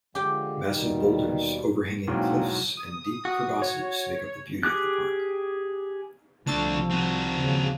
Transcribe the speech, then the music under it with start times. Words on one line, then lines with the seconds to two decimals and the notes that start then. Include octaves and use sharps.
Massive boulders, overhanging cliffs and deep crevasses make up the beauty of the park.
0.15 D3 F3 G#3 G4 G5
0.73 D#2 B2 D#3 G3
2.08 B1 E2 G#2 F#3 A#3 C4 D4
2.77 D#6
3.25 F#4
3.62 C#5
4.63 G4 G#4 D6 F#6
6.47 C2 F3 A3 D4 A5 C#6 E6
6.90 C4 F#4
7.37 D#2 C#3 F3